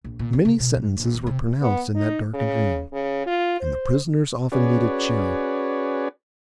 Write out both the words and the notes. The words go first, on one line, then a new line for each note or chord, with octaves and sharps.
Many sentences were pronounced in that darkened room, and the prisoners often needed cheering.
A#1
A#2
C4
C#3
B2
G3
A#1
D#2
C3
B3
D#4
C#3
C#3
F4
C5
C#4 F#4 G#4 B4 C#5 D5